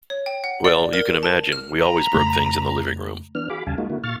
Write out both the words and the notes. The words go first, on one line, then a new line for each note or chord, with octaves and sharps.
Well, you can imagine, we always broke things in the living room.
C#5
G5
F#5
D5
A#4
A5
F6
A#5 B5
F2 C#3 A3
E3 B3 D4 F6
F#4 G#4 F5 B5 D6
D#2 C#3 G3 F5 G#5 A5
G#3 A#3 D#4 F4 F#4
D3 A#3 E4 F#4
A#2 F5 C#6 F6 A6